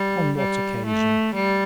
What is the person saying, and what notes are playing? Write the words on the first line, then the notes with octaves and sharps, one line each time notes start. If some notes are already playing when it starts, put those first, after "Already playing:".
"On what occasion?"
Already playing: G3
G3
A3
G3